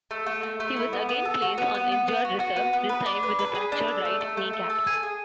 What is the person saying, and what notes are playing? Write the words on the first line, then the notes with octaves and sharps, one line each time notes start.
He was again placed on injured reserve, this time with a fractured right kneecap.
A3
A3
A3
A3
E4
B3
B3
A4
F#4
B3
B3
B3
B3
F#4
F#4
B3
B3
B4
D4
B4
B4
G#4
D4
A4
A3
A3
A3
A3
A4
G#5
G#4